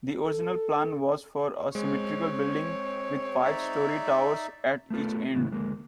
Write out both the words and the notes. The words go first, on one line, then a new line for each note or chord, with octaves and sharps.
The original plan was for a symmetrical building, with five-storey towers at each end.
A4
G#3 C4 C#5
D#4 D5 E5
A3 B3 F4 A4
A2 C#3 E3
D2 G#3 A#3